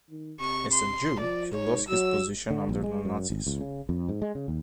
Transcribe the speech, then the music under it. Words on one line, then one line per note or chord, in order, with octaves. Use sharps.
As a Jew, he lost his position under the Nazis.
D#3
C3 C#6
C6
F3 D5
G#2 C#5
F#3 E6
D3
A#1
G#3
F#2
G#1
C#2
C#3
F2
G#2
G#3
C#3
D#2